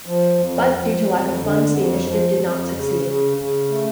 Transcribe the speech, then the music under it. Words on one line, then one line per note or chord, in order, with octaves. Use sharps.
But, due to lack of funds, the initiative did not succeed.
F3
F2
F3
F2
D3
F2
F3
F2
C#3
C#3
C#3
A3